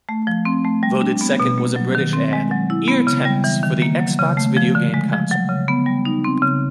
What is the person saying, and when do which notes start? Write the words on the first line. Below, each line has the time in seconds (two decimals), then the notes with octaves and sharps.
Voted second was a British ad, "Ear Tennis" for the Xbox video game console.
0.09 A3
0.27 F3
0.45 C4
0.65 A3
0.83 G3
1.01 D4
1.21 B3
1.40 B2
1.58 A#3
1.76 F#3
1.95 D#3
2.13 C4
2.33 G#3
2.51 F#3
2.70 E4
2.88 B3
3.07 C#3
3.25 G3
3.44 E3
3.63 D#3
3.82 A#3
4.00 F#3
4.19 C#3
4.37 A3
4.57 F3
4.75 D3
4.94 G#3
5.13 F3
5.31 F#3
5.49 C#3
5.68 B3
5.86 G3
6.05 D#4
6.24 C4
6.42 C#3